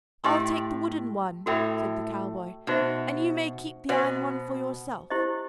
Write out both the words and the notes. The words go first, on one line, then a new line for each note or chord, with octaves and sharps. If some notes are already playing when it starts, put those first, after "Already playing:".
"I'll take the wooden one," said the cowboy; "and you may keep the iron one for yourself."
A2 G4 D#5 G5 C6
A2 F#4 A4 E5 G5 B5
B2 D#4 F#4 C5 E5
B2 F#4 C5 D#5 F#5
E4 G4 C5 D#5